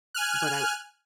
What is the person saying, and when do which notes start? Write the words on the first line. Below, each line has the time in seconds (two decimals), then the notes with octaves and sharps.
but, I
0.14 G#5 F6 F#6